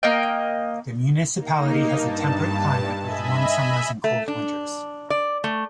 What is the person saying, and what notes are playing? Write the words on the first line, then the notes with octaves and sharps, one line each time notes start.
The municipality has a temperate climate, with warm summers and cold winters.
A#3 A#4 D#5 G5
A#3 D#4
G2 A5
D#5 E5 G#5 B5
A3
D4
D5
A3